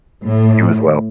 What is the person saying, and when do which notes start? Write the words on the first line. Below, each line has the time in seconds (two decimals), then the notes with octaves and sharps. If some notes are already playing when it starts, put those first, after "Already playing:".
You as well.
0.23 A2